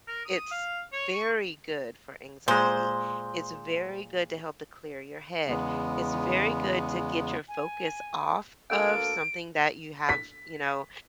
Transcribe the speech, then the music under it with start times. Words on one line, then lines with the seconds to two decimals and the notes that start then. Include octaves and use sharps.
it's very good for anxiety. It's very good to help to clear your head. It's very good to get your focus off of something that you have, you know,
0.08 A#4
0.26 D#6
0.51 F5
0.93 C#5
1.13 C#6
2.48 A#2 G#3 C5
5.47 E2 C#3 G#3 B3
7.48 G#5
8.70 D2 A#3 A4 D7
10.09 B6